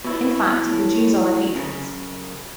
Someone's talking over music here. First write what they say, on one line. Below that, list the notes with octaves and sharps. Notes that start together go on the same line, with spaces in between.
In fact, the Jews are their patrons.
B2 E4
E2
A2
F#2 C#3